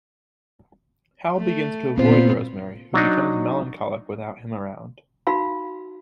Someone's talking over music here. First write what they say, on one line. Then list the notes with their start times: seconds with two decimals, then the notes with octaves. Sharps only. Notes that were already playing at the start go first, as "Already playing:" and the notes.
Hal begins to avoid Rosemary, who becomes melancholic without him around.
1.38 A3
1.98 A#2 B3 C4 F4 C5
2.94 F#3 D4 D#4
5.27 D#4 F#4 F5 B5